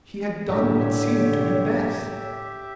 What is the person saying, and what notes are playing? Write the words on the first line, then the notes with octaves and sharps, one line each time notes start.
He had done what seemed to him best.
A2 D3 G4 C#5 E5